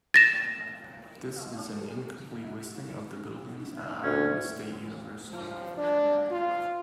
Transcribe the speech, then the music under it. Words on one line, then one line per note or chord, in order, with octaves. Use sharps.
This is an incomplete listing of buildings at Iowa State University.
A6 A#6 E7
D2 C#4
F3
D4
F4